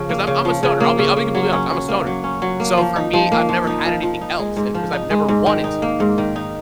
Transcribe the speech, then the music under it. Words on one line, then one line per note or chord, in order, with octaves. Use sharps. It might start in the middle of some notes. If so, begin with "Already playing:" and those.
And it 'cause I'm I'm a stoner, I'll be I'll be completely honest, I'm a stoner. So for me, I've never had anything else an 'cause I've never wanted to.
Already playing: C#3 F3
A#3
C#3
F3
C#3
A#3
C#3
A#3
F#3
C#4
F#3
A#3
F#3
C#4
F#3
A#3
F3
D#4
F3
A#3
F3
D#4
F3
F3
D#4
G#3
G#2
F3
D#4
G#3
G#2
D#3
D#4
A#3
G#2
D#3
D#4